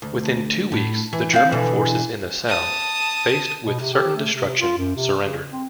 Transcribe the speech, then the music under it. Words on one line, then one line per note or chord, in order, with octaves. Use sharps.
Within two weeks the German forces in the south, faced with certain destruction, surrendered.
D2
A2
E3
C4 F5
B2 D3 E3
A5 D#6
B2
C3
G4
A3
C3
F4
F#2
C3
C#3
C4